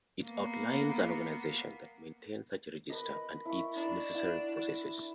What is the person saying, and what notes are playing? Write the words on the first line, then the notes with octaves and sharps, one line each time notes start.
It outlines an organisation that maintains such a register and its necessary processes.
A#3 B3
A#4 B4 D#5
E4 C#6
D4 D#4
E4 F#5